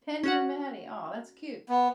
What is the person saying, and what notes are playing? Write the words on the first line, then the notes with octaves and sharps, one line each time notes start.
Penny and Maddie, aw, that's cute.
C#4 F#4 F#5
B3